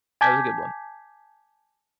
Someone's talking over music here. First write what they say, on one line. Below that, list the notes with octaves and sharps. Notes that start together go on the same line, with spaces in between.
That was a good one.
G#5 A5 D6 G6 G#6 B6